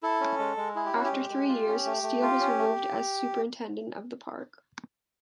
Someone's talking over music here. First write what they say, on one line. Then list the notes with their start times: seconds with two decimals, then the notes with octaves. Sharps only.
After three years, Steel was removed as superintendent of the park.
0.03 E4 A4
0.21 C#4
0.39 G#3
0.57 G#3
0.75 E4 G#4
0.85 G4
0.94 C#4 F#4
1.04 G4
1.12 G#3
1.30 G#3
1.48 F4
1.68 C#4
1.85 A3
2.03 A3
2.22 F4
2.40 C#4
2.58 A3